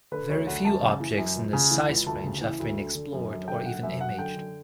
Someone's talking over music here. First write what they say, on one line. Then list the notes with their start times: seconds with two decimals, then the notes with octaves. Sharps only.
Very few objects in this size range have been explored or even imaged.
0.12 D3 B4
0.29 D2 C#5
0.47 D2 F#5
0.65 F#2 A5
0.82 C#3
1.00 E3
1.18 F#2
1.35 C#2
1.53 C#3
1.71 E3
1.88 C#2
2.06 D2 A5
2.23 C#3
2.41 E3
2.60 D2
2.77 D3
2.95 D3
3.13 F#2
3.30 F#2
3.47 D3 G5
3.66 D3 F#5
3.83 F#2 E5
4.01 F#2 F#5
4.18 D3 G5
4.36 D3